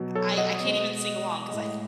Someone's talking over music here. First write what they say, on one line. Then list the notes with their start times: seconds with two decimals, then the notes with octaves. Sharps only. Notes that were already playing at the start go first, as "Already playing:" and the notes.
I I I can't even sing along 'cause I I
Already playing: B2 F#3
0.15 A4 C#5
0.38 D#5 F#5
0.60 B2 G#3
1.51 A2 G#3